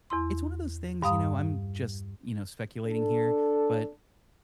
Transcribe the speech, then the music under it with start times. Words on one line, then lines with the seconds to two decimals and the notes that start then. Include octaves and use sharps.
It's one of those things, you know, I'm just, you know, speculating here, but
0.10 E2 E4 C6
1.02 G2 G3 F5 A#5 D#6
2.85 D4 A4